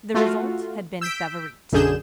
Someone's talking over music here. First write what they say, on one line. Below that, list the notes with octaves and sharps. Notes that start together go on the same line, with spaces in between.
The result had been Favourite.
A3 F4 F#4
E6 G6 B6 D7
B1 F#2 D3 G#4 G6 E7